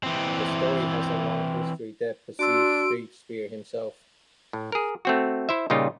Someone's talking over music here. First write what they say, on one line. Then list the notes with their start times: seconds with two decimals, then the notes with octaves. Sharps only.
The story has a long history that precedes Shakespeare himself.
0.03 E3 C4
2.39 D4 F#4 C6 E6 D7
4.53 A2
4.72 G#4 A#4
5.05 A3 C4 F#4
5.49 E4 C5 E5
5.70 A#2 C#3 G3 D#4 F4